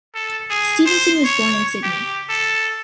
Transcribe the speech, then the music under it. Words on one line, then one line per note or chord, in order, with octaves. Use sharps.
Stephenson was born in Sydney.
A4
G#4
C5
C#5
G4
A4